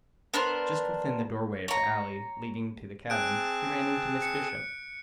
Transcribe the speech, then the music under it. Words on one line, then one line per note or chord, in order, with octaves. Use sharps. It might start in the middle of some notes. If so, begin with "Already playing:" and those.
Just within the doorway of the alley leading to the cabin, he ran into Miss Bishop.
B3 D4 A#4 C5
C#5 A#5
C4 G#4 A5 F#6 D7
C#7